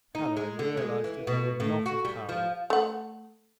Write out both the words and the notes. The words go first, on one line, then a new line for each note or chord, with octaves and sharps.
"Had I realised it, I would not have come."
D#4
G#3
D3
G#3
E3
B2
A2
F#4
G3
F3
A3 F#5